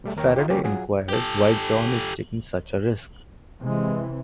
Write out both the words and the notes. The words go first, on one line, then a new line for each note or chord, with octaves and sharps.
Faraday inquires why John is taking such a risk.
B2 G3 A3
D#2 A#4 C#5 G5
D#4 F4 G4
C#3 F3 G3 A#3 C#4 G4
F#3 F4 G#4 F#5
G4 A4
C3 E3 G#3